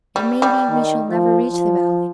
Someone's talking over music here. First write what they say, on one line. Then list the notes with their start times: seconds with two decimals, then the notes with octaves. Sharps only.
It may be we shall never reach the Valleys.
0.16 G3
0.42 G3
0.70 D#3
1.10 F3
1.50 F3